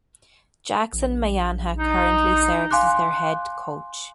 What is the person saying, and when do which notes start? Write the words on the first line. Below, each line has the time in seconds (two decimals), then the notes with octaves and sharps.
Jackson Mayanja currently serves as their head coach.
0.93 A#1
1.78 D#4
2.71 F5 G#5 C6 D6 F#6